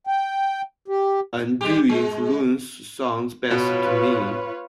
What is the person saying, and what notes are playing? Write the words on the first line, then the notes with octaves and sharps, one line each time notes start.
Undue influence sounds best to me.
G5
G4
G3 G#3 G4
G#3
B2 F4 B4 C#5